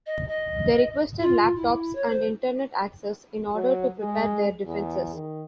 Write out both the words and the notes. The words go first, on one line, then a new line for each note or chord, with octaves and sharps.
They requested laptops, and internet access, in order to prepare their defenses.
D#5
D#5
F4
E4
C#5
C5
F#3
G#3
E2
D#3